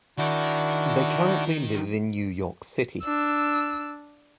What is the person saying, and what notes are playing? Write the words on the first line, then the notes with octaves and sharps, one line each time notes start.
They currently live in New York City.
D#3 D4 E4 F#4
D4 E6